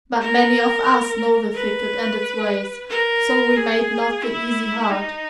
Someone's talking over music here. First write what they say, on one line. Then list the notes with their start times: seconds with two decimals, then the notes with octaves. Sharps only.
But many of us know the thicket and its ways; so we made not the easy hard.
0.20 A#4
1.55 B4
2.90 A#4
3.56 G#4
4.23 E4
4.90 D#4